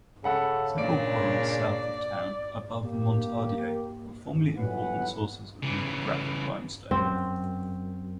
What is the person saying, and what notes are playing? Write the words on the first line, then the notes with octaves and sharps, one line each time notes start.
Several quarries south of town above Montdardier were formerly important sources of lithographic limestone.
C#3 A4 F#5 B5
A#2 D4 D5 D7
A#3 G4
G1 E3 F#3 B4 F#5
C#3 E3
F#2 C4